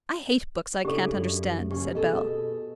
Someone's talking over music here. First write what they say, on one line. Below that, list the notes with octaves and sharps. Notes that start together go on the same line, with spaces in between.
"I hate books I can't understand," said Bell.
C#3 D4 E4 G4 A4
F#2
D#2 C#3 G4
B2 G#4 A4 D#5